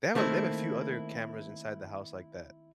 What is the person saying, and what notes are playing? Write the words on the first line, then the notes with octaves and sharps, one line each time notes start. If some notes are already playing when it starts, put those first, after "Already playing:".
They have a they have a few other cameras inside the house like that,
D#3 A3 A#3 C4 E4